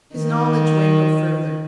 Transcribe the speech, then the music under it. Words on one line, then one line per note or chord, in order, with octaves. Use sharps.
His knowledge went no further.
D#3